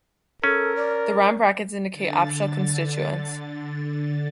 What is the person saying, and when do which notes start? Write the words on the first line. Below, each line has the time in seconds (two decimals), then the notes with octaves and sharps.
The round brackets indicate optional constituents.
0.44 C#4 A4 A#4
0.76 D5
1.91 D3 A6